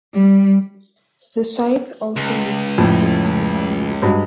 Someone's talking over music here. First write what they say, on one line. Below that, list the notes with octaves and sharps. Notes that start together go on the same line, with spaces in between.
The site also lists political families.
G3
C#2
F2 A2
G2 F#3 G#3